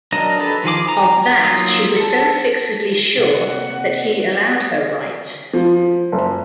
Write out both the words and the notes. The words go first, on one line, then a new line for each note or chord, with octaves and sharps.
Of that she was so fixedly sure that he allowed her right.
F#3 D4 A#4 D#5 A#5
G4 A4 B4
D#3 F3 G#4 D6
A#5
F#3 A#3 F4 D#6
A4 A5
C3 A#3 F#5
F3
F#1